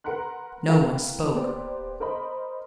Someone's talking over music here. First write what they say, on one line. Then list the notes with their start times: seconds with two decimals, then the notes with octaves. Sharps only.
No one spoke.
0.04 A#4 B4 F#5 A#5 C6 F#6
0.67 A3 E4 A#4 B4 F5 G5
1.34 A#3 B3 G4 B4 C5 D5
2.00 A#4 C5 D#5 B5